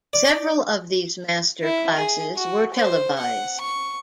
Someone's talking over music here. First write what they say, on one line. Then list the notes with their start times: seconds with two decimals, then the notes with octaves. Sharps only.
Several of these master classes were televised.
0.13 D5
1.63 E4
1.97 G#4
2.36 F#4
2.74 C5
3.18 F#5
3.61 C#6